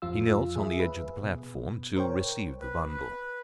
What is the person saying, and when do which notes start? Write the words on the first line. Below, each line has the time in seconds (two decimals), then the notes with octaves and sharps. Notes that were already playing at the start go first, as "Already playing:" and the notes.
He knelt on the edge of the platform to receive the bundle.
0.02 F2 F3 F4 E6
0.56 G#4 E5
0.80 B4
1.22 B2
1.96 A#4 C5 C#5 G5
2.61 B4
2.88 B4